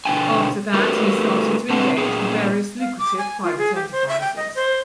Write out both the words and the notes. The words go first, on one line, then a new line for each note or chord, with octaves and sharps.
After that he started to engage in various lucrative private enterprises.
B2 D3 G5 G#5
A3 F#4 G4 A#4 B4 D5
B2 D3 C4 B4 F#5 A5
A#2 B3 G#4
F5
D6
G#5
F4
G#4
G4
C5
E5
G5
D#5
C5